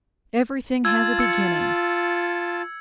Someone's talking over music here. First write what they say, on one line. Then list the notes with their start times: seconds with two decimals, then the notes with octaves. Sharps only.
Everything has a beginning.
0.85 F4 A5 E6 G#6
1.19 E6 C#7